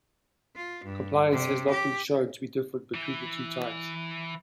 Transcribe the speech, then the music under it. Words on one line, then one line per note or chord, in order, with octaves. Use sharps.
Compliance has not been shown to be different between the two types.
F4
G2
C3
G4
E3 E4